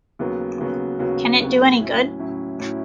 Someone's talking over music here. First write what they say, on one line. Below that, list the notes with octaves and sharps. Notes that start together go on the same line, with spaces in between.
Can it do any good?
D#2 C#3 F#3 B3 F#4
D#2 C#3 F#3 B3 F#4
D#2 C#3 F#3 B3 F#4
D#2 C#3 F#3 B3 F#4
A2 F#3 C#4 E4
A2 F#3 C#4 E4
A2 F#3 C#4 E4